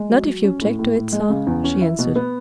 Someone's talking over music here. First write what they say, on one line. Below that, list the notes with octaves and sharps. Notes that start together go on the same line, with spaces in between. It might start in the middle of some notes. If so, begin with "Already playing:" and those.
"Not if you object to it, sir," she answered.
Already playing: G#3
F#3
F#3
C#4
A2
A2
A2
G#3
C#3
E2
C#4
E4
B2
B3